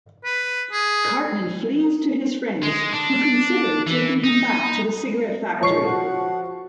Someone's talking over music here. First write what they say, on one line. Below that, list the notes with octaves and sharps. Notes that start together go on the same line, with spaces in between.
Cartman flees to his friends, who consider taking him back to the cigarette factory.
B4
G#4
G#3
D4
E3
D#4
A#2 F3 G#3 C#5 C#6 C7
F#4 F#5